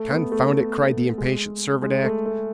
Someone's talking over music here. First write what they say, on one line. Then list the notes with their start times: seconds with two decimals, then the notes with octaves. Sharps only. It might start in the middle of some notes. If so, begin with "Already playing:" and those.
"Confound it!" cried the impatient Servadac.
Already playing: A3
0.10 B3
0.32 A3
1.18 G#3
1.82 G#3
2.04 A3
2.26 A3